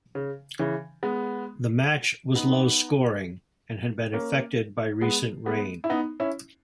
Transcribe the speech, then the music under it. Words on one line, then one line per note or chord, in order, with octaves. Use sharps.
The match was low scoring and had been affected by recent rain.
C#3
C#3 E3
G#3 B3
B3 D#4
A#3 C#4
G#3 B3
G#3 B3
E4
B3 D#4
C#4 E4